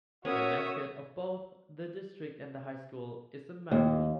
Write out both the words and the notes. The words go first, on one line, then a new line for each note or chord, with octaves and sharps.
The mascot of both the district and the high school is the "Maroon".
C#4 F#4 A#4 C#5 E5 D#6
D#2